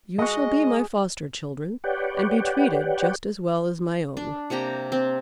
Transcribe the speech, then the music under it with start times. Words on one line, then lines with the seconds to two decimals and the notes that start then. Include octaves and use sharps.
"You shall be my foster--children, and be treated just as well as my own."
0.18 G#3 F#4 D#5
1.84 G4 B4 C#5 D5 F#5 G5
4.17 D4
4.50 C3 A#3 G4 A#5
4.92 C4